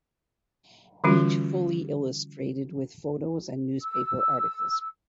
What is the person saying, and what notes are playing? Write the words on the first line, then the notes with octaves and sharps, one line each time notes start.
Each fully illustrated with photos and newspaper articles.
D3 E3 G3 C#4 F4 F#4
E6